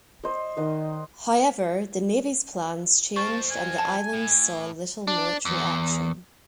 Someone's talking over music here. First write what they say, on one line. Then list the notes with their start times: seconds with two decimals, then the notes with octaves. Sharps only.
However, the Navy's plans changed and the island saw little military action.
0.24 C5 D#5
0.57 D#3 D#5 F#5
3.16 F3 C4 A5 C#6
3.51 G#5
3.78 A5
4.14 A2
5.07 D4
5.45 E2